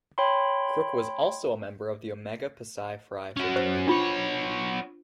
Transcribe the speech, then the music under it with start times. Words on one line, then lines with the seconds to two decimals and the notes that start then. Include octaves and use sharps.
Crook was also a member of Omega Psi Phi fraternity.
0.18 C#5 G5 B5 C6
3.36 C#4 F#4
3.56 C5
3.88 B3 D4 F4 C#5